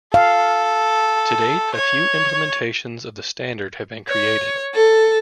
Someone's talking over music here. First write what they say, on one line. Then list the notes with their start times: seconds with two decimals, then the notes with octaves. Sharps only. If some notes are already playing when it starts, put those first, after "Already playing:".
To date, a few implementations of the standard have been created.
0.14 A4 F5
1.74 C#5
4.09 C#5
4.74 A4